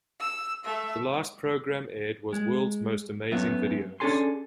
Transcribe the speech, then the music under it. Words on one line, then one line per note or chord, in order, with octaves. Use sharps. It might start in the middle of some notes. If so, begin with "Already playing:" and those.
The last program aired was "World's Most Amazing Videos".
E6
A3 E5
G#3
F#2 A3 B3 E5
C#4 D4 G#4 A4 G#5 C6